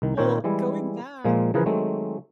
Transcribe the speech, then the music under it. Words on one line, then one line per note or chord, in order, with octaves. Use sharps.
Well, going back
C2 D#3
A#2 D#3 C4 A#4 C#5 G5
E3 G3 G#3 E4
A#2 F3 G#3 A#3
C#3 E3 F3 G#4 A#4 B4
D#3 F#3 G#3 A3 C4